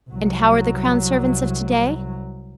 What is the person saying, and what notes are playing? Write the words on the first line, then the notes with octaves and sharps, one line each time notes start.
And how are the crown servants of to-day?
C2 F#3